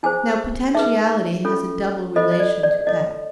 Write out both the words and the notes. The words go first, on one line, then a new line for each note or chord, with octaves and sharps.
Now, potentiality has a double relation to act.
E4 G#4 C5 G#5
D#4 G#4 B4 E5
C#4 F4 A4
F4 A4 C5 D#5
D#5
D5
D5
E4 A4 C#5 D#5